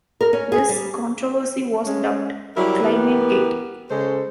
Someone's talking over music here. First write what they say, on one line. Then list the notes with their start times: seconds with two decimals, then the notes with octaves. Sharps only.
This controversy was dubbed "Climategate".
0.21 A#4
0.33 C#4
0.52 G#4
0.69 G3
1.86 G#3 C#4
2.56 F#3 G3 E4 G4 A#4
2.82 E3 B3 G4 A#4
3.90 C#3 G#3 C#4 A4 C5